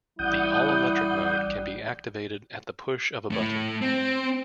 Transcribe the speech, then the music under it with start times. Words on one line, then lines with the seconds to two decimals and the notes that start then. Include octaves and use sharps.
The all-electric mode can be activated at the push of a button.
0.19 A1 G3 E4 F#5 D#6 G6
3.31 A2 A3
3.81 C4